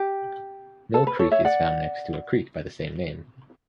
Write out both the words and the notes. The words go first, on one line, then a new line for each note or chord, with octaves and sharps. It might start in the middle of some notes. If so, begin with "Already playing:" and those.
Mill Creek is found next to a creek by the same name.
Already playing: G4
A4
B4
A4 C#5
C#5 E5
D5 F#5